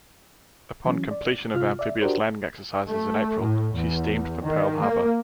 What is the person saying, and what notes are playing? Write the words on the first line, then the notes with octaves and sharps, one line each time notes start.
Upon completion of amphibious landing exercises in April, she steamed for Pearl Harbor.
E3 F#3 C#4
D5
C3 F4 F6
D5 E5
D4 F#4 G4 A#4 C5
A3
A2
E2
D#3
A#3